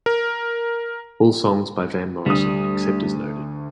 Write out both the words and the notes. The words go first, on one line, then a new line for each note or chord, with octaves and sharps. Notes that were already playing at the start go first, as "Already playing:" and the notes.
All songs by Van Morrison except as noted.
A#4
D2 G3 D#6